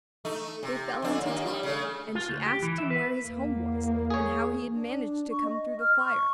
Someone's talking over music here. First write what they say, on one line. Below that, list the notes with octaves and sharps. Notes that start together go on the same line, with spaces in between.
They fell into talk, and she asked him where his home was, and how he had managed to come through the fire.
A3 D#4
C3
F2 D4
D#2 A#3
G3
C#3 A3
F4
D2
G4
E3
E5
B4
E2 A#3
G#4 C#5
D4
C#6
D#5
F6
C#6